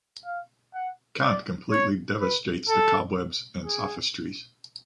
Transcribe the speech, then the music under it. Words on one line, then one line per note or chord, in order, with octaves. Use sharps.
Kant completely devastates the cobwebs and sophistries.
F5
F#5
D5
C#5
B4
A4
G#4